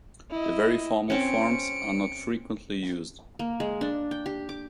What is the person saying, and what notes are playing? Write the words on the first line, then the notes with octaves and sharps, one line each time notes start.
The very formal forms are not frequently used.
E4 D#5
C4 C#4 C#7 D7
A#3
G#3
D4
G5
G4
D6